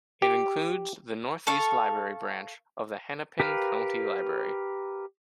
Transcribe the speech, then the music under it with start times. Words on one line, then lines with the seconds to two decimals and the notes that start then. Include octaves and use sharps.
It includes the Northeast Library branch of the Hennepin County Library.
0.22 G4
1.47 A4 F5 C#6
3.40 G4 A#4 B4 F5